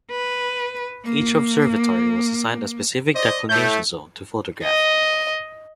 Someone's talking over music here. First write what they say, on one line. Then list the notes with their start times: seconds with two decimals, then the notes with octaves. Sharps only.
Each observatory was assigned a specific declination zone to photograph.
0.11 B4
1.05 A#3
3.15 C5 D5 D#5
3.49 A2 A3 G6
4.63 D#5